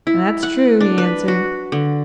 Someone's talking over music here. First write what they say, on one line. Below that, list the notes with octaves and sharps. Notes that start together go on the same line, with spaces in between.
"That's true," he answered.
E4
F#5
D4
B4
F#4
D3